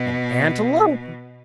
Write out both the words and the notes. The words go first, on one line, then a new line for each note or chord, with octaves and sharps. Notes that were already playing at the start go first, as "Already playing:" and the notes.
"An antelope?"
Already playing: B2